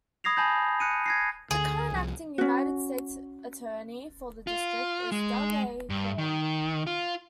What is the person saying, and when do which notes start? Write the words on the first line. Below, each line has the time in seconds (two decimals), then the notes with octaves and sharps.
The current Acting United States Attorney for the district is Doug A. Horn.
0.24 B5 D#6 G#6 A#6 C7 F7
0.37 G#5 A5 B5 G6
0.80 F#6 C#7 D#7
1.06 G#6 A#6 C7
1.51 D2 D3 G#4
1.91 C2 F3
2.38 C#4 F#4
4.47 F4
5.12 G#3
5.90 G2
6.18 D#3
6.87 F4